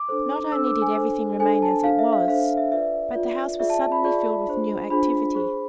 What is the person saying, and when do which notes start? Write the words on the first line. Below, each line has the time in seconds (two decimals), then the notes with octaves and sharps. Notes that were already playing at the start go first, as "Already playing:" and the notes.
Not only did everything remain as it was, but the house was suddenly filled with new activity.
Already playing: D6
0.09 D4 A4 C5
0.52 D4 A4 C5 E6
0.67 D6
0.82 G#5
0.96 D4 A4 C5
1.39 D4 A4 C5 G#5
1.62 A5
1.83 D4 A4 C5 F5
1.99 E5
2.13 F5
2.28 D4 A4 C5 F5
2.57 E5
2.72 F4 B4 D5 E5
3.15 F4 B4 D5
3.59 F4 G#4 D5 E5
3.70 A5
3.92 B5
4.03 F4 G#4 D5
4.47 D4 F4 G#4 C5
4.90 D4 F4 G#4 C5 B5
5.35 G#4 C5